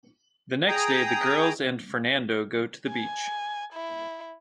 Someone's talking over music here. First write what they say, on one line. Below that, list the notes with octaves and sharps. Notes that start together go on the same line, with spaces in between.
The next day, the girls and Fernando go to the beach.
G#4 G5 A#5 D#6
G#5
E4